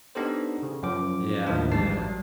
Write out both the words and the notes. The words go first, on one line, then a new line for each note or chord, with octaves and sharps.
Yeah, yeah.
B3 D4 D#4 G4 A4 C5
C#3
F#2 F3 D6
D#2 A2 D#3 F3 D4
A1 G3 G#3 A5 C7
F#3